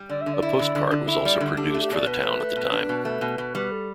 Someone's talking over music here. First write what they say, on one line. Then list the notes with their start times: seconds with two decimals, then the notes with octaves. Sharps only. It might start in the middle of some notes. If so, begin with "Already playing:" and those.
A postcard was also produced for the town at the time.
Already playing: G3
0.09 D3 D5
0.21 D3 E5
0.34 D5
0.42 E4
0.59 D3
0.75 D3
0.91 D3
1.08 E4
1.25 G3 D5
1.40 D3
1.57 D4 G4
1.70 G4
1.74 A3
1.82 G4
1.90 B2 D5
2.06 B2 B4
2.23 A3
2.40 A3
2.56 B2
2.72 D4
2.89 B2
3.05 A3 B4
3.21 B2
3.38 B2
3.55 G3 B4
3.72 A4